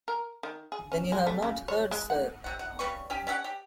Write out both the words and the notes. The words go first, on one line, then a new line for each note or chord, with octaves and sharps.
Then you have not heard, sir?
A#4
D#3
G#4
C#4
G#3
A3
C#3
C#5
G#3
F#5
C3 F#5
F#5
C#3 G3 B4 C#6
C#4 G4
C#4 G4 E5 F#5
G4